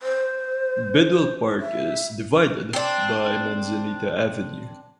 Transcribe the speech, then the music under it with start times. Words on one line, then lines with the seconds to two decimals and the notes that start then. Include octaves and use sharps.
Bidwell Park is "divided" by Manzanita Avenue.
0.02 C5
1.61 E5
2.73 C4 D4